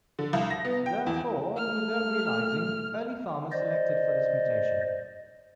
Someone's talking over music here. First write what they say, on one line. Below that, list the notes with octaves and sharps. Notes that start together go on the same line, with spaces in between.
Therefore, without realizing, early farmers selected for this mutation.
D3
C2
A#6
B3
G5
E2
A3 F6
C5 D5 D#5